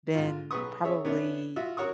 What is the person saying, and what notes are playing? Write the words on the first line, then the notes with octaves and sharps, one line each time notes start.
been probably
G#2 F4
B1 G#4 B4 C#6 D#6
G#4 C#5 E5
B3 C#4 D4 E4
F4 F#4 E5
F#4 A#4 C#5 F#5 C#6 D#6